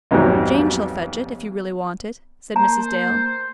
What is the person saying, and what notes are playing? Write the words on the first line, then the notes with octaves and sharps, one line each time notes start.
"Jane shall fetch it, if you really want it," said Mrs. Dale.
B1 F2 G#2 D#3 F#3 G3
A#3 C5 A#5